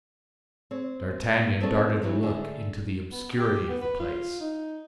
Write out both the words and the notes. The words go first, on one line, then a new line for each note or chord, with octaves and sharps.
D'Artagnan darted a look into the obscurity of the Place.
C4 C#5
A#3
B3 C4 D4 F#4 A4 C#5
E3 F#3 C4 E4
D3 D4 G#4 E5
B3
G4
B3
B4
F4
D#4